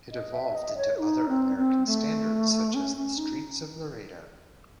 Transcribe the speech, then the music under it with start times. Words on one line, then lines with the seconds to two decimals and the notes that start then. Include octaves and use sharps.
It evolved into other American standards such as The Streets of Laredo.
0.12 D#5
0.34 E5
0.55 D#5
0.77 C#5
0.99 D#4
1.29 C4
1.57 C4
1.86 A3
2.74 C#4
2.96 C#4
3.18 D#4